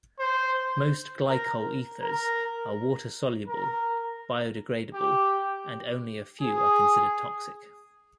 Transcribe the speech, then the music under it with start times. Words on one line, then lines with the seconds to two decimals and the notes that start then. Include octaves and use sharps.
Most glycol ethers are water-soluble, biodegradable and only a few are considered toxic.
0.19 C5
1.29 A#4
2.02 A#4
3.48 A#4
4.94 G4
6.41 G#4